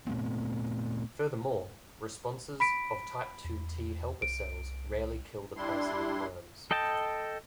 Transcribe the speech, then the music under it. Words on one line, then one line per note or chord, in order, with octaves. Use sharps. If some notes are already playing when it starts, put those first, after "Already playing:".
Furthermore, responses of type-two T helper cells rarely kill the parasitic worms.
A#2 A3 B3 C4
B5 B6 D7
E2
C2 D7
G3 D4 E4 C6
A4 D#5 G5 A5